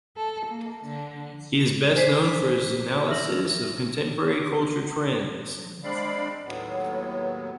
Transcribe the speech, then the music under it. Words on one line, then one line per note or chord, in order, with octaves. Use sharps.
He is best known for his analysis of contemporary cultural trends.
A4
A#3
D3
G#4 C5 G#5 B6 C7
E5 E6 F6 A#6 F#7
G#3 C4 D4 D5 F5 B5
D#2 A2 F#3 B3